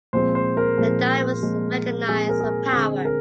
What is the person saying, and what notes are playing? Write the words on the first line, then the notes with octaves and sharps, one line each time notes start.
The divers recognize a power.
A#2 F3 G#3 C4 C5
C5
A#4
A#2 F3 G#3 C4
A#2 F3 G#3 C4
A#2 F3 G#3 C4 G#4
A#4
G#4
D3 G#3 C4 G#4
A#4